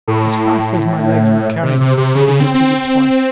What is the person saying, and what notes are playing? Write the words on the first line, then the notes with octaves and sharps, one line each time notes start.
"As fast as my legs would carry me," he repeated twice.
A2
C3
C3
C3
C#3
C#3
C4
C4